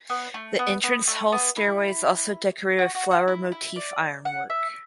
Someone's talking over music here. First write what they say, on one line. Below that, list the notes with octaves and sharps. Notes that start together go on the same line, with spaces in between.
The entrance hall stairway is also decorated with flower motif ironwork.
B3
A3
B3
B3
A3
B3
E4
F#4
F#4
F#4
E4
E4
D5
F#5
E5